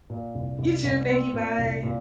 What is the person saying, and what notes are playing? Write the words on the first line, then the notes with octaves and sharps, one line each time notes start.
You, too. Thank you. Bye.
A#2
C2
C2
C2
C4
A#2
C2
A#2